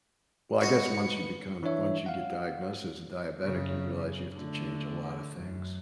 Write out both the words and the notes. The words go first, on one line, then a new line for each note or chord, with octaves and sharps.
Well, I guess once you become once you get diagnosed as a diabetic, you realize you have to change a lotta things.
G#3 F#4 B4 D#5 D#6 C#7
E3 D4 E4 C#5 E5
F5 F#5
F#2 C#3
D3 A3
F#2